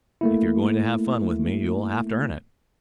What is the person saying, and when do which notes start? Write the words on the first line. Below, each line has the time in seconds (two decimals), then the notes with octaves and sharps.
If you're going to have fun with me you'll have to earn it.
0.21 A3 A#3 E4